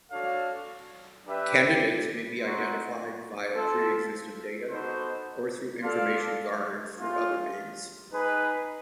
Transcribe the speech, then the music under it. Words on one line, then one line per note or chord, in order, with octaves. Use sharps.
Candidates may be identified via pre-existing data or through information garnered through other means.
D4 F#4 A4 C#5 F5
D4 G4 B4 E5
C4 D#4 F#4
C4 F4 A4
B3 D#4 F#4 A4 C5
F4 A4 D5 F5
A3 C#4 F4
D#4 G#4 B4